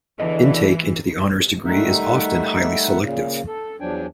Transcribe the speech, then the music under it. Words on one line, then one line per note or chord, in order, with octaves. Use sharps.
Intake into the honours degree is often highly selective.
E2 D3 E3 D#5
D#3 G3 A3 D#4 E5 F#5
A#2 C#3
A4
E2 F3 F#3 D4 G5 G#5